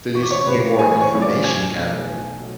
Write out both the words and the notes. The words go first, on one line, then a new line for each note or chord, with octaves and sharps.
Did you send me more information gathering.
A1 C#6
D6
C#5 C#6
A2 F3 B4 B5
A1 G#4 G#5
C#5 C#6
A2 F3
D5 D6
B1 G#5 G#6
B2 F#3 A3
B1
B2 F#3 A3